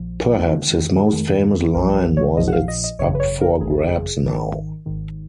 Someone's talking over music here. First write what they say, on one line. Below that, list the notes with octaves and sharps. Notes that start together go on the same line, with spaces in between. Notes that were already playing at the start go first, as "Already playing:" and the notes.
Perhaps his most famous line was it's up for grabs now!
Already playing: A#1 A#2 F3
F#4
F2 D#3 G#3 F4
F#4
F#4
G#4
F2 D#3 G#3 A#4
A#1 A#2 F3 A#4
A#4
C#5
A#1 A#2 F3 D#5
F#5
F5
D#5
D#5
G#1 F#2 C#3 C#5
B4
C#5
A#4
G#1 F#2 C#3 G#4
G#1 G#2 D#3
G#1 G#2 D#3